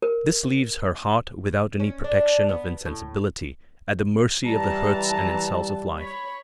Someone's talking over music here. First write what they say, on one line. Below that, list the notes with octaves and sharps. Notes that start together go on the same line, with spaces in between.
This leaves her heart without any protection of insensibility, at the mercy of the hurts and insults of life.
A#4
C#4
D4
B3
A2
E3 G3 A5 A#5
C#5 B5